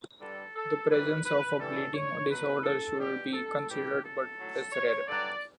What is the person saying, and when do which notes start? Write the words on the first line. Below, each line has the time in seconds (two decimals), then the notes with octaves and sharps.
The presence of a bleeding disorder should be considered but is rare.
0.20 G2 D3 G3 A4
0.55 A4
0.89 F#2 E3 G3 B4
1.25 B4
1.59 G2 E3 G3 A4
1.94 C#5
2.29 B2 F#3 B4
2.63 A4
2.98 B2 G3 G4
3.33 A4
3.68 A2 E3 G3 G4
4.03 A4
4.38 A2 F#3
4.72 C#5
5.07 G2 D3 F#3 D5